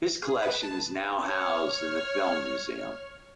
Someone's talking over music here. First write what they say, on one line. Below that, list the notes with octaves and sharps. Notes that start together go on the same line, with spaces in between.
His collection is now housed in the Filmmuseum.
G#4
B4
A5
C#5 F6